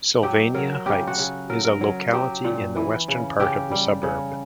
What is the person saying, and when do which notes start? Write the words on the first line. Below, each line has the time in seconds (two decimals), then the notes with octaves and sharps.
Sylvania Heights is a locality in the western part of the suburb.
0.23 F#3 G4
0.54 F#3 A#4
0.86 C#3 G4
1.07 F#4
1.18 C#3
1.50 F#3 A#4
1.65 A#4
1.81 F#3
2.13 F#3 G4
2.45 A#2
2.76 E3
3.08 C#3
3.40 C#3 G4
3.71 G3
4.03 C#3